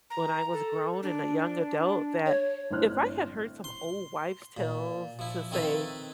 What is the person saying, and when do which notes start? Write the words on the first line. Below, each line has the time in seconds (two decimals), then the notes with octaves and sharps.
when I was grown, and a young adult, that if I had heard some old wives' tales to say,
0.10 A#5
0.53 A4
1.03 D4
2.26 C#5
2.70 G1 A2 C4 C5 F6 F#6
3.64 C6
4.57 A#2
5.19 F3 E4
5.52 D#3 C4 E4 A4 B4